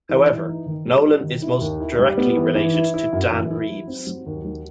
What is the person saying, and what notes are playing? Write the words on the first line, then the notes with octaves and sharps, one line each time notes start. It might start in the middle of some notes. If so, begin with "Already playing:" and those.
However, Nolan is most directly related to Dan Reeves.
E3
E3
D#4
D#3
G3
D#4
D#3
E4
D#2
E4
G3
B3
E3
E3
E4
E4
F#2
E3
E4
F#3
C4
F#3
D#2
F#3